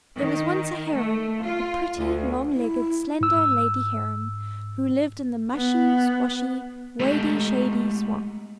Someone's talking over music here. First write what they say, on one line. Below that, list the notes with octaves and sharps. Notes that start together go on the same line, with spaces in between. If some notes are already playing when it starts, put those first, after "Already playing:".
There was once a Heron, a pretty, long-legged, slender lady Heron, who lived in the mushy-squshy, wady-shady swamp.
D#3
A3
F4
D2
E4
G#2 E6
B3
G#3 A3 B3 D#4 G4 A4